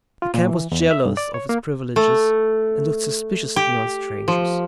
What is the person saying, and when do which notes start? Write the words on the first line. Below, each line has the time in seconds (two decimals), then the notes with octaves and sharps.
The camp was jealous of its privileges and looked suspiciously on strangers.
0.22 F4
0.34 A#2
0.49 E3
0.72 E2
0.91 E5
1.06 G2
1.17 D5
1.34 C#5
1.49 A#3
1.96 A3
3.56 G4
4.28 F3